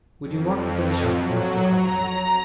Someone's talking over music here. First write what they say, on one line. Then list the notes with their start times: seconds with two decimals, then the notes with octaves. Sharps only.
Would you walk into the shop, Master Copperfield?'
0.22 F2
1.16 F#3
1.69 A#5